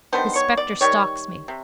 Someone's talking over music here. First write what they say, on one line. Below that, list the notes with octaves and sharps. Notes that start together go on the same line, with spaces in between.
His spectre stalks me.
D#3 G3 B3 D4 C5
C#5
D5
D#3 G3 C#5
C3